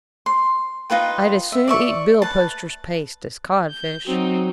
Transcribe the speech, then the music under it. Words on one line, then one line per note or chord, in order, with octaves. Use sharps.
"I'd as soon eat billposter's paste as codfish."
C6
D#4 F4 B4 G5
E5
D5 E5 C#6
B4 A5
G6
F#3 C4 D#4